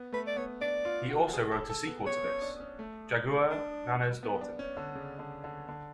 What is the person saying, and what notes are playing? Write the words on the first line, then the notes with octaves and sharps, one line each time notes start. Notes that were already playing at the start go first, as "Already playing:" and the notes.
He also wrote a sequel to this, "Jagua Nana's Daughter".
Already playing: B3
A3 B4
D5
B3 C#5
D4 D5
F4
F#4
G#4
A4
A4
B3
B3 C#5
C#4
D4
C#4
A3
D4
B3
D4
C#4
D3
C#3
D3
D3
D3